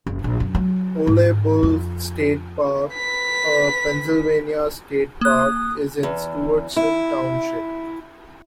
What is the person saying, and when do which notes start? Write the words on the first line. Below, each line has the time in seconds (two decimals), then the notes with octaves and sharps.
Ole Bull State Park a Pennsylvania state park is in Stewardson Township.
0.07 F#1
0.24 A#1
0.40 F#2
0.55 F#3
1.07 G#2
1.63 F2
2.91 B4 B6
5.21 A#3 D#6 F#6
6.03 E2
6.76 E4